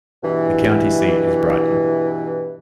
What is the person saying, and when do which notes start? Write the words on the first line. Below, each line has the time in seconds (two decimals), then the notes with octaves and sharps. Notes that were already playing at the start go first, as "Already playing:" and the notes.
The county seat is Brighton.
0.23 G2 B2 E3